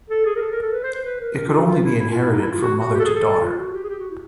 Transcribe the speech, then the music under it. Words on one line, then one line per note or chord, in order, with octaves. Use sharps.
It could only be inherited from mother to daughter.
A4
G#4
A#4
A4
A#4
A4
B4
C5
C5
B4
A#4
A#4
F4
F#4
F4
E4
E4
F4
E4
D#4
E4
F4
F#4
F#4
G4
A4
G#4
A4
A4
F4
F#4
G4
G#4
G4
F#4
E4